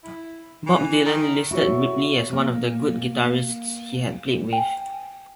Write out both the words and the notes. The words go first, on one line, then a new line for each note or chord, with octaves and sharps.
Bob Dylan listed Ripley as one of the good guitarists he had played with.
E4
E3
D#3
E4 F#4 A4 C#5
A#3
G5 G#5